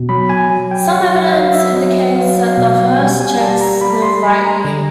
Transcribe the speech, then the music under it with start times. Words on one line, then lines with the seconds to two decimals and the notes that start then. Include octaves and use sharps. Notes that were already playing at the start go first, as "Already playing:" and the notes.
Some evidence indicates that the first Czechs lived right here.
Already playing: B2
0.09 F#3 B5
0.29 G#5
0.50 F#3
0.71 G5
0.91 F#3 F#5
1.13 F#5
1.32 F#3 F5
1.54 E5
1.74 F#3 D#5
2.16 F#3 F5
2.43 F5
2.58 B2
2.71 F5
2.98 G3 F#5
3.20 G#5
3.40 G3 A5
3.61 A#5
3.81 G3 B5
4.02 C6
4.23 G3 B5
4.44 A#5
4.65 D3